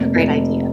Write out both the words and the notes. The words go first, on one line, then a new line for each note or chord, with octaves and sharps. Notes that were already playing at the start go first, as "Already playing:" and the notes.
a great idea.
Already playing: F1 A#3
F1